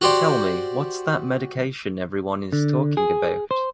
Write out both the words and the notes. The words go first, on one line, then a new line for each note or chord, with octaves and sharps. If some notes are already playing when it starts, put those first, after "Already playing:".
Tell me what’s that medication everyone is talking about.
F#4 G4 C5 D5
D3
G#4
C5